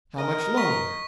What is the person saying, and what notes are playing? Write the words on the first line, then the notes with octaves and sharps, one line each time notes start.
How much longer?
A#4 D#5
C#6 B6